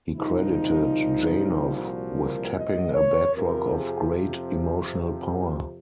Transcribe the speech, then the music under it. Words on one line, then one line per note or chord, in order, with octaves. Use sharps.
He credited Janov with tapping a bedrock of great emotional power.
C2 A#2 F3 D#4
F#4
A#4
D#5
C#5
F2 C3 F3 A#4
G#4